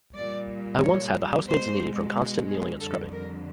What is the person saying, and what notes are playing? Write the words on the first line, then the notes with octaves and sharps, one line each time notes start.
I once had the housemaid's knee from constant kneeling and scrubbing.
A#2 G3 D5
C#5
B2 G#3 C5
G#4
F2 D3 G3 A4
A#4